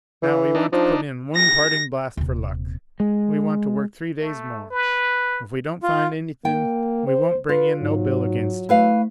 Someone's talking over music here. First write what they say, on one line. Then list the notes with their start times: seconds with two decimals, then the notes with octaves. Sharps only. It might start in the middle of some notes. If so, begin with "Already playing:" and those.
Now we want to put in one parting blast for luck. We want to work three days more; if we don't find anything, we won't bring in no bill against you.
0.22 E3
0.55 D4 D#4
0.73 F3 D4 D#4
1.36 A#6
2.17 D#1 C3
3.00 G#3
4.20 A3
4.71 B4
5.83 F4
6.45 A#3 G5
7.07 C5
7.49 F4 B4
7.80 G#2 F#3
8.69 A3 E4 B4 F5